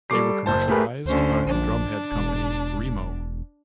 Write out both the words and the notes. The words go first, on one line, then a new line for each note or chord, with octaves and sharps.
They were commercialized by the drumhead company Remo.
G3 A4 C#6 D6 C7
F#1 C5 A5
A3 G4 G#4 A#4 B4
D2 D3 C#4 C5
A#1 D4
E1